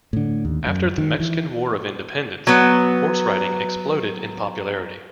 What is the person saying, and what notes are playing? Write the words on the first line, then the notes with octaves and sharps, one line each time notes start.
After the Mexican War of Independence, horse riding exploded in popularity.
A2 D3
D#2
F#2
D#3
E3
F#3 B3